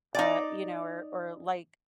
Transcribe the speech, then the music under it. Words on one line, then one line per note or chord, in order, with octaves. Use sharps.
uh, you know, or or, like,
D#4 D5